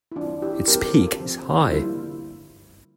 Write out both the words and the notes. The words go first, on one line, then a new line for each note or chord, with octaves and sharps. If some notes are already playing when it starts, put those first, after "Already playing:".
Its peak is high.
E4
E3 G3 C4 D4 F4
E4 G4
E3 G3 C4 G4 A#4
F4 A4
D3 F3 C4
F4
D3 G3 A#3 E4